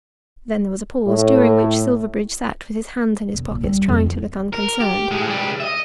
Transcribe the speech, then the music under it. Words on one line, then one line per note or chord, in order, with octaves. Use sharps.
Then there was a pause, during which Silverbridge sat with his hands in his pockets trying to look unconcerned.
A2
E1
A#1
G3
F2
B3
A#4
G4
A2 G#3
C#2 G3
D#5 E5